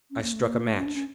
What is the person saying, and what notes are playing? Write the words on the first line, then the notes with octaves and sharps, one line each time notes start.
I struck a match.
C#4
A#3
A3
A#3
A3
C#4
D4
C#4